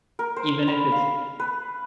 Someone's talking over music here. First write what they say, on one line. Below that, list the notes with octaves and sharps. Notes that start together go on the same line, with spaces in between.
Even if it's
A#4
C5
B5
F5
B4